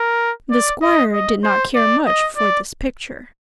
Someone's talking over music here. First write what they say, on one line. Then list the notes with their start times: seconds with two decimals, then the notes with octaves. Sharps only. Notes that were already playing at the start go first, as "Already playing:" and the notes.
The Squire did not care much for this picture.
Already playing: A#4
0.51 D5
0.82 D#5
1.13 D#5
1.44 C5
1.75 D5
2.06 D#5
2.37 D5